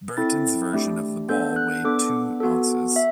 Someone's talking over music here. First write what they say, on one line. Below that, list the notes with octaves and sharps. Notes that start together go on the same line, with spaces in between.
Burton's version of the ball weighed two ounces.
C4 E4 A4 A6
A3 D4 G4
B3 D4 A4 G6
F#6
B3 D4 A4 D6
B3 F#4 A4
E5